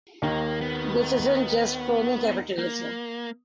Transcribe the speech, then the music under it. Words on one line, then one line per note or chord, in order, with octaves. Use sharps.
This isn't just crony capitalism.
D#2 D#3 A#3
B3
A#3